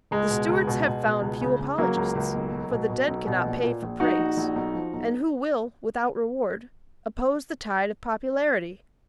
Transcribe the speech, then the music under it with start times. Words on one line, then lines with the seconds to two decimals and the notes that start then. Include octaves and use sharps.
The Stuarts have found few apologists, for the dead cannot pay for praise; and who will, without reward, oppose the tide of popularity?
0.11 C#2 G#3
0.30 B2
0.49 C#2
0.67 B2
0.86 B2
1.04 B2
1.22 C#2
1.41 C#3
1.60 C#3
1.78 C#3 F#3 A#3
1.96 C#2
2.16 C#2
2.34 B1
2.52 B1
2.71 B2
2.90 B2
3.08 B1
3.27 B2
3.45 A#1
3.63 A#2
3.82 A#1
4.00 F3 D#4 F#4
4.19 A#1
4.37 A#1
4.56 B1
4.74 F3
4.93 B1